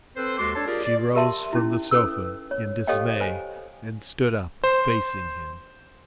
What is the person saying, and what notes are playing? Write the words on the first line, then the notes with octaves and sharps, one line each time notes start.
She rose from the sofa in dismay and stood up facing him.
C4 A4 B4 C5
D#2 G#3 F#4 A4 C6 D6
D4 A4 C#5 A5
F4 G4 G#4 A#4 D5
D5
G4 A#4 E5 A5 C6
C#4 D#4 E4
C#4 A4 B4 E6
C#5
G4 A4 C#5 D#5 F5 G5
C5 G#5
C5